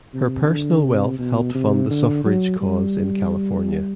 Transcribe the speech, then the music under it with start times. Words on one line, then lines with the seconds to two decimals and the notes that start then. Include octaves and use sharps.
Her personal wealth helped fund the suffrage cause in California.
0.14 C3
0.49 D3
0.84 C3
1.19 B2
1.55 C3
1.91 D3
2.25 F#3
2.61 G3